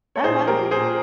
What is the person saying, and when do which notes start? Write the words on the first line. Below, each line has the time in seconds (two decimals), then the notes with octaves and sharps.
Oh, wow.
0.16 C#5
0.24 A#2 G#4 C5
0.41 F3
0.47 G4 A#4
0.59 F3
0.71 G#4 C5
0.77 A#2